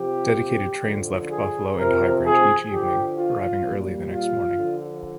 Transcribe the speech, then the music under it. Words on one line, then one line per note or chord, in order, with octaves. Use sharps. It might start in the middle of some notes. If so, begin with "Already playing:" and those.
Dedicated trains left Buffalo and Highbridge each evening arriving early the next morning.
Already playing: C3 F3 G4
D3 F3
G#4
C3 F3 A#4
G#4
D3 F3 G4
F4
A#2 G3
F4
D3 F3